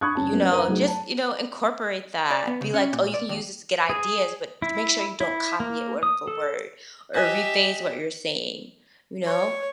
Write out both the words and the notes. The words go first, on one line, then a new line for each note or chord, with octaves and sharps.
you know just, you know, incorporate that, be like, "Oh, you can use this to get ideas, but j make sure you don't copy it word for word or rephrase what you're saying." You know?
B5 C#6 D#6 F#6 G#6
F#1 C#4 A5
F#3 A#3 B3 C#4
F#2 A#4 C5 A#5 D#7
F#3 A3 D#4 F#4 G#4
A5
D5
B3
C#3
C#4
A#2
D5
D#2
G#4
E4
E4
A#3
D#6
A4
G4 D#5 E5 G#5 F#6
C#5